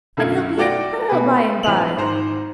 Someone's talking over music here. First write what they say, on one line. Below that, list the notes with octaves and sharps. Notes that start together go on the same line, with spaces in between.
And he'll be an earl by-and-by.
B1 F#2 D3 A3 F5 G#6
A3 F#4 D5 G5 A#6 D7
B2 B4
A#1 E3 F7 F#7
G#1 G#2 C5 A#5